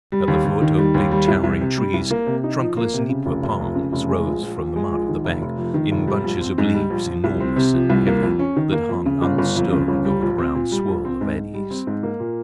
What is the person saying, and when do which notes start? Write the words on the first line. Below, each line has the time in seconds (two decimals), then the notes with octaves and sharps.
At the foot of big, towering trees, trunkless nipa palms rose from the mud of the bank, in bunches of leaves enormous and heavy, that hung unstirring over the brown swirl of eddies.
0.12 G3
0.28 D#2
0.45 D#2
0.62 D#3
0.78 G3
0.94 D#2
1.11 G3
1.28 C2
1.44 C2
1.61 C3
1.77 G3
1.94 C2
2.10 A#3
2.27 C3
2.44 D#4
2.60 F3
2.77 A#3
2.94 C3
3.09 C#3
3.26 F1
3.43 F1
3.60 F2
3.76 C#3
3.93 F1
4.09 G#3
4.26 A#1
4.42 A#1
4.59 A#2
4.76 G#3
4.92 A#1
5.09 D#3
5.25 F1
5.42 F1
5.58 F2
5.74 D#3
5.92 F1
6.07 G3
6.24 A#1
6.41 C4
6.58 G#2
6.74 G3
6.90 A#1
7.07 F3
7.24 C2
7.40 C4
7.56 C3
7.73 F3
7.90 C2
8.07 A#3
8.23 F2
8.39 C#4
8.56 D#3
8.72 A#3
8.89 F2
9.06 C#3
9.22 G1
9.38 G1
9.56 F2
9.72 C#3
9.88 G1
10.05 G3
10.22 A#1
10.38 C4
10.55 A#2
10.72 G3
10.88 A#1
11.05 C4
11.21 G#2
11.37 G#2
11.54 G3
11.71 C4
11.87 G#2
12.03 A#3
12.20 A#2